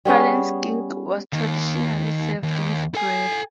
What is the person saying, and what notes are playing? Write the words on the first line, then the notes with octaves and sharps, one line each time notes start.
Cullen skink was traditionally served with bread.
G3 B3 C#4 G#4
D#2 D#3
D#2
A4 G#5